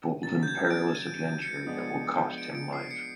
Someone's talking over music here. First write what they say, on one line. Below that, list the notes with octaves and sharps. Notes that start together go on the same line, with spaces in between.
Bold and perilous adventure that will cost him life.
C#3 F#3 A#3 A6
G6
G#6
D7
D#7
D#7
C#7
F3 G#3 B3 D4
D7
D7
C7
C#7